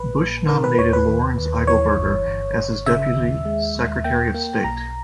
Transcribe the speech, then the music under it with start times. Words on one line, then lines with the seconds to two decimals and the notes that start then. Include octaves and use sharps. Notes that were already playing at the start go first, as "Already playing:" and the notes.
Bush nominated Lawrence Eagleburger as his Deputy Secretary of State.
Already playing: A#1 B4
0.19 A#2
0.49 D#3 A#4
0.64 B4
0.79 D#2 C#5
0.93 B4
1.08 D#2
1.38 D#2
1.67 E3 C#5
1.97 G1
2.27 G1
2.56 G1
2.86 C#3 E5
3.16 D#2
3.45 G#3
3.75 D#2
4.04 A#3 G5
4.34 A#3
4.64 B1 A#5